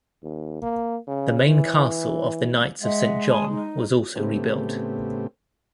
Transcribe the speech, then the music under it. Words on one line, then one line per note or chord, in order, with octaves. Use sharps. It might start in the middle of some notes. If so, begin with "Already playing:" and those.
The main castle of the Knights of Saint John was also rebuilt.
D#2
A#3
C#3
E3
G#3 D#5 E5 F#5
G#5 A5 D#6
D#4
A2 C#3 A3 B3 C4 G4